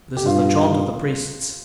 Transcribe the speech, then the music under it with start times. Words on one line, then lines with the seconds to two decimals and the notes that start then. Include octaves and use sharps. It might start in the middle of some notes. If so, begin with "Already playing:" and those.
This is the chaunt of the Priests.
0.17 G4
0.26 G2 F4